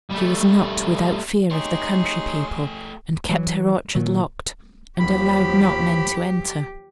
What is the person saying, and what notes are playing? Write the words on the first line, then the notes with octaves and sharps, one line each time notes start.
She was not without fear of the country people, and kept her orchard locked, and allowed not men to enter.
G3 A3
A3 D#4 G4 G#4 C#5 C6
E3 F#3
A#2 D#3 F#3
D#2 F3 F#3 G4 B5